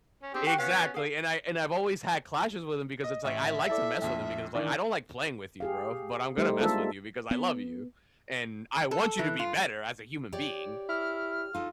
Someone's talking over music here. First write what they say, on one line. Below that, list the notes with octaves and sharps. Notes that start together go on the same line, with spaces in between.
Exactly, and I and I've always had clashes with him because it's, like I like to mess with him because, like, "I don't like playing with you, bro, but I'm gonna mess with you because I love you, and I want you to be better as a human being,
C#4
C4 D4 G4 G#4
F#4 G4 G5
B3 C#4 F#4 F5
G#4 F5
D#5
A1 E5
E4 A4 D5
A#1 F2
D#3 E3 D4
G4 G#4 F5
G3 A3 D#4 G4 C5
G#3 A#3 D4 F4 A4 E5
B3
A4
E3
F4
G4 C#5 D5
E4 F6
D#4 F4 A4